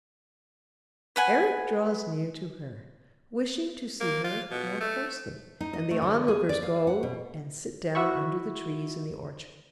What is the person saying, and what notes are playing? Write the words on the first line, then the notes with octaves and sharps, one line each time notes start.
Erec draws near to her, wishing to see her more closely, and the onlookers go and sit down under the trees in the orchard.
B4 F#5 G#5
A#3
F4
B2
A3
D#4
D#5
A3
D3
G#4
D5
F5
F#5
B2
E4 F#4 E5 B5 C#6